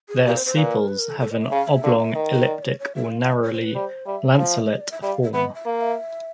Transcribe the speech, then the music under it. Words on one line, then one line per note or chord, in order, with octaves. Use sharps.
Their sepals have an oblong, elliptic, or narrowly lanceolate form.
G#4
A#2 G4
C5
C5
A#2 B4
A#4
B4
A#4
A4
A4
D#5
E5
C#3 F5
E5
D3 F5
E5
D#3 D#5
D#5
D5
C#5
C#5
E5
F5
F5
D#5
C#5
C5
B4
G3 C5
G3 E5
F3 F5
E5
D#5
D5
E5
G3 E5
F5
E5
B3 E5
D#5
E5
A#3 F5
E5